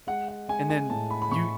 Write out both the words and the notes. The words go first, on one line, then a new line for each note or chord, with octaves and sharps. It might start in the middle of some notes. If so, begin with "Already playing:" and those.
And then you
G#3 F#5
F#5
G#3 G#5
G#5
A2 A5
B5
B5
A2 C#6